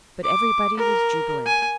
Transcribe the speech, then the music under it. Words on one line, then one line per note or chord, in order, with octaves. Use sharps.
But everybody was jubilant.
D6
A#4
G#5